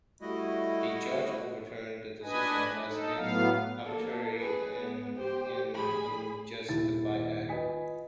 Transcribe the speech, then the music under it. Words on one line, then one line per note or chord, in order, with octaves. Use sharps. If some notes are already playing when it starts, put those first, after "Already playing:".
A judge overturned the decision as an "arbitrary and an unjustified act".
G3 A3 E4 F#4 D#5
D4 B4 D#5 G#5
D#4 A4
A2 F#3 B3 F5
A#3 A4
G#4 B4
B3
G4 C5
G#4 B5
D#1 E4 A6
F4 B4 D#5 G#5 B6